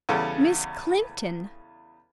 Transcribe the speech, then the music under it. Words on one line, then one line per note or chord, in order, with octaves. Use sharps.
Miss Clinton!
E2 C#3 G3 A4 F#5